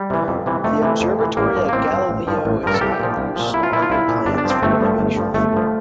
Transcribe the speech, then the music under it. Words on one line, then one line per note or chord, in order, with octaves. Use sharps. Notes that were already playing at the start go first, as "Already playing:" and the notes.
The observatory at Galileo is not in use nor under plans for renovation.
Already playing: G3
C3 E3
F2
C3 E3
F2 A3
C3 E3
F2
C3 E3
A1 A#3
G2 F3
A#3
A1 C4
G2 F3
A1
G2 F3
A1
G2 F3 A#4
A4
C2 G4
A#2 F3
C2
A#2 F3
C2 E4
F4
A#2 F3 E4
F4
C2 E4
A#2 F3
G1 D4
D4
G2 F3
C4
G1 A3
G2 F3
G1
G2 F3
G1 A3
G2 F3